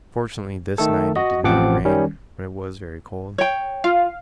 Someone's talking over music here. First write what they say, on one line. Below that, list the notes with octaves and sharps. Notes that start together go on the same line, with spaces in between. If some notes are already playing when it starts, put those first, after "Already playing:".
Fortunately this night it did not rain, but it was very cold.
D#3 A3 A4
F#4 D#5
A1 F3 C4 F#5 D6
D#3 G3 C#4
C#5 G5
F4 F5